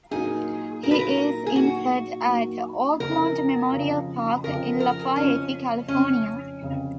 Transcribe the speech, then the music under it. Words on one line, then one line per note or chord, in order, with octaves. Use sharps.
He is interred at Oakmont Memorial Park, in Lafayette, California.
A#2 F#3 A#3 D#4 G#4
A#2 F#3 A#3 D#4 A#4
B4
A#4
G#4
A#2 F#3 A#3 D#4 F#4
A#2 F#3 A#3 D#4
F2 C#3 F3 A#4
F2 C#3 F3
F2 C#3 F3 A#4
A#4
F2 C#3 F3 C#4
F1 F2 C#3 C#4
F1 F2 C#3